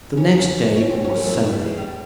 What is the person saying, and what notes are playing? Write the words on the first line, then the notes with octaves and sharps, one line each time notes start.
The next day was Sunday.
E2 E3 C#4
F2 F3
C#4
C4
F#2 F#3 C#4
G2 G3 A#3
F#2 F#3 A3
E2 E3 A#3
A3
G3
G#3
G3